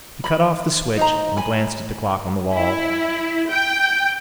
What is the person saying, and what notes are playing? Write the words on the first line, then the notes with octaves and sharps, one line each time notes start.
He cut off the switch and glanced at the clock on the wall.
B5
D#4 C5 A#5
G#5 B5
E4
G5